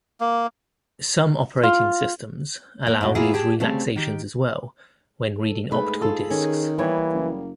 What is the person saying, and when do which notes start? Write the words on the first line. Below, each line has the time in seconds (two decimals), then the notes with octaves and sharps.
Some operating systems allow these relaxations as well when reading optical discs.
0.21 A#3
1.63 F4
2.87 A#3
3.01 G#2 B2
3.15 A#3 B3 E4 F4 G#4
3.34 G4 G#4 A5
3.60 C#3 G3 A3 C4
3.96 D#3 G4
5.38 A4
5.71 G#2 A3 G#4 B4
6.01 F4 A4
6.30 D#3 C#4
6.78 E3 G3 A#3 B3 C#5
7.14 F#1